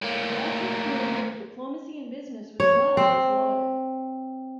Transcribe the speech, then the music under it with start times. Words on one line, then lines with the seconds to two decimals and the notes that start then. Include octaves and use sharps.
Watson's merger of diplomacy and business was not always lauded.
0.02 A2 A#3
2.60 C#5
2.97 C4